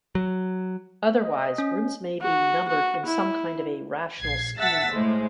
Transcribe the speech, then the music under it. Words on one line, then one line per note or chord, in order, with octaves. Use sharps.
Otherwise, rooms may be numbered in some kind of a rational scheme.
F#3
D#5
C#4
F#4
F#4
E4
A#1 G#6 C7
E5 F#5 A5 E6 A6 B6
A2 G#3 C5